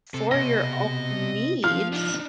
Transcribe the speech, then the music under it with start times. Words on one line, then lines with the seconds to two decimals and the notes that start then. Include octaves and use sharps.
for your own needs,
0.14 C3 A4
0.31 B2 D#5 A#6
1.64 F3 F5 F6
1.92 B3 D4 D#4 F4